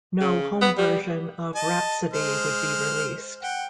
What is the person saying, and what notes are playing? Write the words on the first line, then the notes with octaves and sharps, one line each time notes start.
No home version of Rhapsody would be released.
C#3
B3
G3
D#5 A5
G#3 C5 F6
F#5 G5